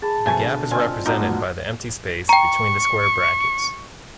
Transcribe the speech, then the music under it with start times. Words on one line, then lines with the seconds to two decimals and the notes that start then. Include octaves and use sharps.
The gap is represented by the empty space between the square brackets.
0.02 G#4 A5 B5
0.26 F2 B2 A3 E5 G#5 C#6
0.42 B2 D3
0.71 C4 F4 D5 D#5 G#5
1.06 G#2 B2 D#4 F#4 F#5 A5 A#5 D6
1.19 A2 F#3 G3
2.29 G5 A#5 C#6